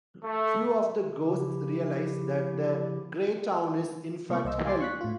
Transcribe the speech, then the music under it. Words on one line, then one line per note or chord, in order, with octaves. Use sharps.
Few of the ghosts realize that the grey town is, in fact, Hell.
A3
C#3 F3 E4 G4
C3 G3 A#3 B3 C#6
C2 C5 D#5 E6
F5 G#5 C6 D6 A6 C7
C#6 F#6 B6
A2 F4